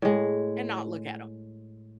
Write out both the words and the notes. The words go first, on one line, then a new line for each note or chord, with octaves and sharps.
and not look at 'em.
A2 G#3